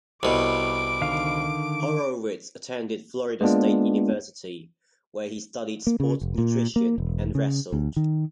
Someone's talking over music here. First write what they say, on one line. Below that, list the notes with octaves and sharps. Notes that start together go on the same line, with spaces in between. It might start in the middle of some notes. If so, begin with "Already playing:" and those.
Horowitz attended Florida State University, where he studied sports nutrition and wrestled.
C2 B2 D6 D7
D3 D#3 F5
G#3 A#3 B3 D4 F4
A#3
C#3
F1
A#2
A#3
E1
C#3
D2
D#3